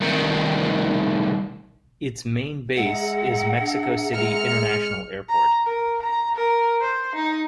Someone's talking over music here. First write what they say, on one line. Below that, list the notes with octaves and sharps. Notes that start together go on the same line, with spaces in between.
Its main base is Mexico City International Airport.
C2 D#3
G#3 G#4 E5 F#5 A#5
D4
G#3 F6 C#7
A#5
A#4
A#5
A#4
C5
D#4